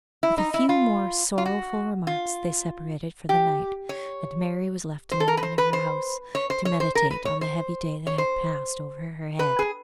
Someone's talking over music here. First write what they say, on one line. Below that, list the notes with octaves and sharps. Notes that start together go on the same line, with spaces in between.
With a few more sorrowful remarks they separated for the night, and Mary was left alone in her house, to meditate on the heavy day that had passed over her head.
E4
D#4
E4
F4
F4
F#4
F4
G4
C#5
C5
A4
A#4
B4
C5
B4
C5
C#5
C5
C#5
C5
A#4
B4
C#5
C5
C#5
C5
B4
G#4